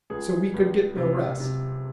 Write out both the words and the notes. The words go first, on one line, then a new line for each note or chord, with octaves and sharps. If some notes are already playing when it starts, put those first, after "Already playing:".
So we could get no rest!
C#2 G#4
C#2
C3
C3